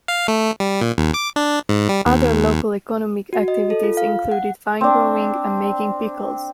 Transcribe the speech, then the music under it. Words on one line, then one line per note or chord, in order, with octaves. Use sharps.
Other local economic activities included wine growing and making pickles.
F5
A3
G3
A#2
D#2
D6
D4
G#2
G3
D#2
F#4
D#5
A4
F4
F5
F#5
C4 D4